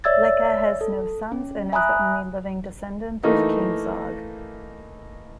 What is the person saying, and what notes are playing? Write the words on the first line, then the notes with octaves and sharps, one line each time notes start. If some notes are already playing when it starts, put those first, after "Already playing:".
Leka has no sons and is the only living descendant of King Zog.
C#5 D5 E5 E6 G#6 A6
A4
C#4
E5 G#5 A#5 B5 D#6 F#6
E3 A3 A#3 D#4